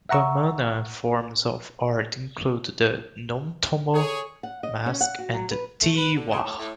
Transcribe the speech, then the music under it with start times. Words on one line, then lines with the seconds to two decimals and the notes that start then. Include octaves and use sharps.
Bamana forms of art include the "n'tomo" mask and the Tyi Warra.
0.09 E5 F#5 A#5 C#6 E6
3.94 G#4 A4 C#5
4.43 F#5
4.63 D#5
4.86 C#4
5.01 F#5
5.19 F#4
5.34 F#3
5.51 B4
5.80 A3
5.96 B4
6.14 D3
6.30 C#3
6.43 A2
6.57 A2